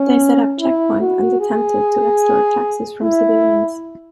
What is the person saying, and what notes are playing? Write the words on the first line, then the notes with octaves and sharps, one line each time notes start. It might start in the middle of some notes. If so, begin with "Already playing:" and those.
They set up checkpoints, and attempted to extort "taxes" from civilians.
Already playing: C#4
E4
F#4
G#4
E4